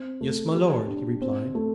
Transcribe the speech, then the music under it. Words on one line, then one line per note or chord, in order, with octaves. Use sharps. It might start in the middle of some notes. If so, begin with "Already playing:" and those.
"Yes, my lord," he replied.
Already playing: C4
A3
G4
D4
C4
A3